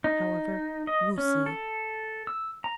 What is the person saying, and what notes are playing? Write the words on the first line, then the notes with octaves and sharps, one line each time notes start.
However, we'll see.
D#4
D#5
C#4
A4
E6
A#5